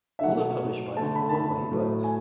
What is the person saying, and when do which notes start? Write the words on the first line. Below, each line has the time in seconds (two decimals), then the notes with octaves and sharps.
All are published by Four Way Books.
0.19 E5
0.23 B2 F#3 A3 F#5
0.97 D3 A3 A5
1.15 B5
1.29 A5
1.34 B5
1.71 A2 F#3 A3
2.04 G#5